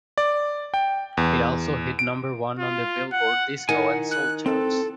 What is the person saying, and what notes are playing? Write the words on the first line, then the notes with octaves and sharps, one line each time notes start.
It also hit number one on the "Billboard" Disco and Soul charts.
D5
G5
E2
D7
F4
F#5
D#3 F#5 G#5
F#6
C4 A4